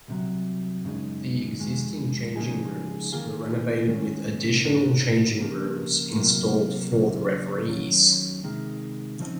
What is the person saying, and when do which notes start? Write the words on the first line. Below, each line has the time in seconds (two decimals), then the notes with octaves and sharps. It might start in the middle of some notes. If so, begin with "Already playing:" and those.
The existing changing rooms were renovated with additional changing rooms installed for the referees.
0.08 C2 C3 F#3
0.85 F#2 C#3 G#3 D#4
1.60 F2 D#3 G#3
2.36 C#3 F3 G#3 D#4 G#4
3.12 D#3 A#3 F4 G#4
3.88 D#2 D#3 G#3 C#4
4.64 G#2 D#3 A#3 D#4 F#4
5.40 C#3 F3 A#3
6.16 C3 F#3 A#3
6.92 D#2 C#3 F#3 A#3
7.67 D#2 D#3 F#3 C#4
8.44 C3 D#3 G#3
9.20 C#3 F3 C4 D#4